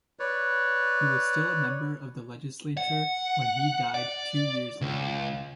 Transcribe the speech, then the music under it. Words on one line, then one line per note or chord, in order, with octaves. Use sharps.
He was still a member of the legislature when he died two years later.
B4 C#5 D5
F#5
D5
C#2